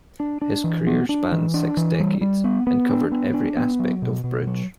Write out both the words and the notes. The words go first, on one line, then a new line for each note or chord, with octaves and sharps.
His career spanned six decades and covered every aspect of bridge.
D4
D4
E3
B3
D4
E3
D4
E3
G3
G3
B3
B3
D4
B3
D4
B3
F#3
B2
B2
F#3